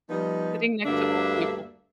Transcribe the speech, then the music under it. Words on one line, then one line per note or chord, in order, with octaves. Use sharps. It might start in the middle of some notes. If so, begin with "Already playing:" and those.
Sitting next to old people.
F3 G3 B3 D#4
D2 G2 D3 A#3 D4 E5